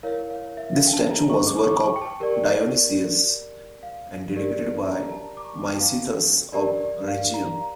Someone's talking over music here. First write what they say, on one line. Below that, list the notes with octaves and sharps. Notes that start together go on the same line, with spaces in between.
This statue was a work of Dionysius, and dedicated by Micythus of Rhegium.
E4 A#4 C#5 F5
F5
E5
F5
G5
A5
A#5
C#6
D6
C#6
C#6
G5
A5
G4 A#4 D5
F5
G4 A#4 D5
A#5
A5
A5
A#5
D6
C#6
A5
G5
F5
G4 A#4 D5
F5
A#5